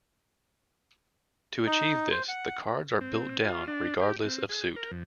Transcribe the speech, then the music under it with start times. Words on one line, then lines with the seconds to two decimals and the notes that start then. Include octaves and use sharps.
To achieve this, the cards are built down regardless of suit.
1.66 D#4
2.11 C5
2.28 F#5
3.01 C4
3.44 F4
3.68 D4
4.01 G4
4.25 C4
4.49 G#4
4.76 A#4
4.91 F2